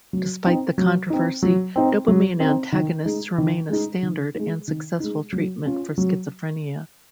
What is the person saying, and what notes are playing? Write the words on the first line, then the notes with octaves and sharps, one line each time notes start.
Despite the controversy, dopamine antagonists remain a standard and successful treatment for schizophrenia.
F#3
C4 D#4
F#3
C4 D#4
F#3
C4 D#4
F#3
C4 D#4
D#3
G#3 D#4
D#3
G#3 D#4
D#3
G#3 D#4
D#3
G#3 D#4
F#3
C#4 F4
F#3